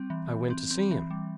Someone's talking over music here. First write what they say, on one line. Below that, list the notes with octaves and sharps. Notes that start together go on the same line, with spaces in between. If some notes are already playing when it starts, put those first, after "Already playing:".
"I went to see him."
Already playing: G3 C4
E3
E3
C4
C4
E3
G3